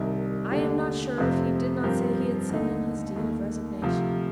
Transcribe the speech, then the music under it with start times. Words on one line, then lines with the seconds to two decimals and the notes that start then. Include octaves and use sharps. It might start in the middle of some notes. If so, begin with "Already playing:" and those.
I am not sure if he did not say he had sent in his deed of resignation.'
Already playing: C2 C3 D#3
0.51 D#2 D3 A3 D4 G4
1.18 F2 C3 F3 A3 C4
1.83 G2 F3 C4 G4 A#4
2.49 D#2 D3 A3 D#4
3.16 D#2 D#3 A3
3.82 D2 C3 F3